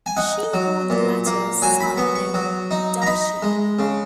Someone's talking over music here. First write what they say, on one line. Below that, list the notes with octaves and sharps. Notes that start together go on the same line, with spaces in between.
She bore the latter a son named Dachi.
G#5
D#4 F#5
F#3
A#2
A#3
F#3 G#5
B5
B3 C#6
C#6
F#3
D#4
A#5
D#4 B5
G#3
C#3